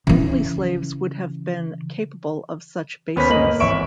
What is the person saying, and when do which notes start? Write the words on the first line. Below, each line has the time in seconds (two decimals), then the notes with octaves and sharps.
Only slaves would have been capable of such baseness.
0.07 C#3 E3
3.16 D#2 B3 C#4 B4 C5 B6
3.29 G1 A3 A#3 C#4 D#5 F#7
3.46 A#3
3.60 G#1 E3 C#5 E5 C#6 D7